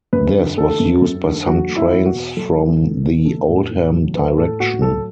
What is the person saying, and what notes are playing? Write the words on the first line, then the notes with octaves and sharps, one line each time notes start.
This was used by some trains from the Oldham direction.
F#2 B4
D3
A3 A4
F#2
F#2
D3
F#3 F#4
A3
E4
E2
F#4
B2
F#3 A4
A3
E2
B2
A3 A4
A2
A2
F#3
A3 B4
A2 A4
A2 F#4
F#3 A4